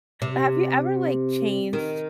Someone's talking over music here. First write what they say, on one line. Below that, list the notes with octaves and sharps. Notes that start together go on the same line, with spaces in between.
But have you ever, like, changed
C3
D#3